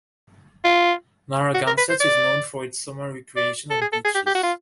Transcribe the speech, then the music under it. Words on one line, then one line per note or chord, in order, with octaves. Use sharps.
Narragansett is known for its summer recreation and beaches.
F4
F#4
A#4
B4
C5
D5
D5
A4
G#4
A4
G#4
G4
G4
F#4
F4